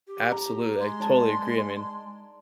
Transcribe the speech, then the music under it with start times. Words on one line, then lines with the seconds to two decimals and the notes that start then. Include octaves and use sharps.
Absolutely, I totally agree, I mean,
0.07 G4
0.32 A#5
0.80 G#3 C6
1.00 D5 A5 A#5